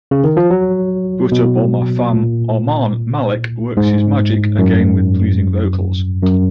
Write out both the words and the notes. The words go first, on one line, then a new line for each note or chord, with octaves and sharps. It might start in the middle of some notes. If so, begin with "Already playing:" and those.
Butta Bomma fame Armaan Malik works his magic again with pleasing vocals.
C#3
D#3
F3
F#3
B2
A#2
G#2
F#2
F#2